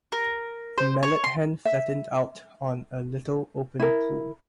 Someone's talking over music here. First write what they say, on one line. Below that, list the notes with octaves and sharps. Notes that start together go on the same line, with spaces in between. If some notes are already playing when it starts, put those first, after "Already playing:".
A mallard hen flattened out on a little open pool.
A#4
C5
C#5
C6
E5
E4 A#4